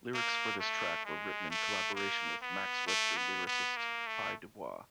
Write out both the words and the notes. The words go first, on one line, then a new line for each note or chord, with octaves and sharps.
Lyrics for this track were written in collaboration with Max Webster lyricist Pye Dubois.
A#3
A3
G#3
A3
A#3
B3
A3
B3
B3
A#3
A3